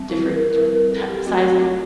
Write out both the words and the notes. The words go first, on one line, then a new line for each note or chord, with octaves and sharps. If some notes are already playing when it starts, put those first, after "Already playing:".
different t ta size,
Already playing: G3 C4
E4
B4
A#4
A#4
G3 C4 B4
A#4
A4
G4
F#3 A3 C4 F#4
F#4
F4